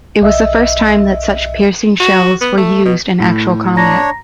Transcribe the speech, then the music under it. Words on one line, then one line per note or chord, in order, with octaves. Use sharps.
It was the first time that such piercing shells were used in actual combat.
B1 D#5 E5 E6
F#4
B3
A3
B2
A2
D4 C#5 A#5 A#6